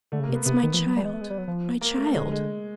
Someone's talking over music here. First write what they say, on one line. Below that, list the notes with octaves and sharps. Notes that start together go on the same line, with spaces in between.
"It's my child, my child!"
D3 A3
C#3
A#3
C3
B3
C3 B3
D#3
F3
E3
F#3
G3
G#3
A3
G#3
G3
F#3
F3
A#3
A3
D3 G#3
G#3